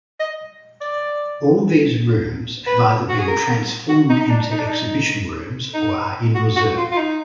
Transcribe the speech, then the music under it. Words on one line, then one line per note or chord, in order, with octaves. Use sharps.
All these rooms have either been transformed into exhibition rooms or are in reserve.
D#5
D5
B4
F#4
G#4
A#4
F#4
D#4
D#4
D4
D#4
D4
D#4
D#4
F#4
F#4
F4
F4
D#4